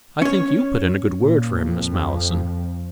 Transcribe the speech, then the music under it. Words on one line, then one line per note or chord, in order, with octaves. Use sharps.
"I think you put in a good word for him, Miss Malleson."
C#4 C#5
A#2
F2